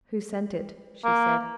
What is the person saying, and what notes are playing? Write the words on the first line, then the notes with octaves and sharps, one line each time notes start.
"Who sent it?" she said.
A#3